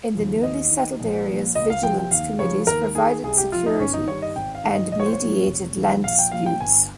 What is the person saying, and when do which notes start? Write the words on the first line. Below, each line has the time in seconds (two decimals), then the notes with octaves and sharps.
In the newly settled areas, vigilance committees provided security, and mediated land disputes.
0.15 D#2 C#3 F3
0.43 D#2 D#5
0.72 D#3
1.00 A#1
1.27 A#2 F3
1.55 C#2 D#5
1.70 F5
1.83 C3 F3 G5
1.98 G5
2.11 D#2 F5
2.39 C#3 F3 C#5
2.67 D#2 A#4
2.95 D#3 G#4
3.23 C2 G#4
3.38 G4
3.52 C3 F3 F4
3.66 D#4
3.80 G1 C#4
3.93 D#4
4.08 G2 D#3 C#5
4.22 D#5
4.36 G#1 G5
4.55 F5
4.64 G2 D#3
4.74 D#5
4.92 A#1 D#5
5.00 C#5
5.06 C5
5.13 C#5
5.19 A#2 F3
5.47 F1
5.76 D#2 C#3 F3
6.04 A#1 F5
6.19 G5
6.32 A#2 F3 F5
6.46 G5
6.60 G1 G#5